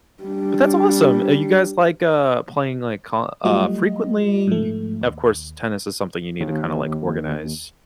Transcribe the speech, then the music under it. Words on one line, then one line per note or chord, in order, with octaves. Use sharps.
But that's awesome! Uh, you guys, like, uh, playing, like, con n uh, frequently? Of course, tennis is something you need to kinda, like, organize
G3 D4
F#3 G3 A3 F4 G4 D#5
G#2 F3 A3
D#2
D#2